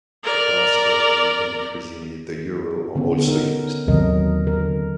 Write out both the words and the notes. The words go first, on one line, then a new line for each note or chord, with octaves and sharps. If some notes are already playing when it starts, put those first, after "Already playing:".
The pound sterling and increasingly the euro are also used.
A#4 D5
D3 B3 C#4
D#4 A#4
D#2 C3 F#3 A#4 D#5
D3 A#4